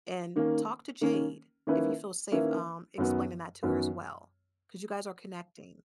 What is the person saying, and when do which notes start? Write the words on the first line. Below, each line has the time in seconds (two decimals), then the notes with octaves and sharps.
and talk to Jade, if you feel safe, um, explaining that to her as well, 'cause you guys are connecting.
0.36 D#3 A#3 C#4
1.01 D#3 A#3 C#4
1.67 D#3 A#3 C#4 E4 B4
2.32 D#3 A#3 C#4 E4 B4
2.98 F#2 D#3 F#3 B3
3.63 F#2 D#3 F#3 B3